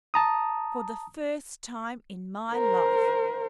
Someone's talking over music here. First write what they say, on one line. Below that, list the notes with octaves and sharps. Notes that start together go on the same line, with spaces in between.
"For the first time in my life!"
A5 A#5 D#6
A#4 C5